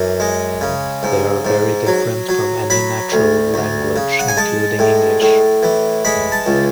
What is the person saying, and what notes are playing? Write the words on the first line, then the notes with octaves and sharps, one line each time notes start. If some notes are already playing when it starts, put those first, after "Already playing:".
They are very different from any natural language, including English.
Already playing: F#2 E3
G#3
C#3
G#2
G#2
F#3
F#3
F#3 B5
D2
D2
C#3
F#5
G#5
G#3 A5
A2
A2
E3
G#3 B5
A5
C#2